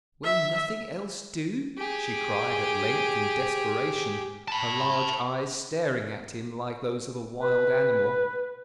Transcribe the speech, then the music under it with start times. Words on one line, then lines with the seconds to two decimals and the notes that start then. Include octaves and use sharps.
"Will nothing else do?" she cried at length, in desperation, her large eyes staring at him like those of a wild animal.
0.24 E5
1.78 G4 G#4
4.48 A5 B5
7.41 B4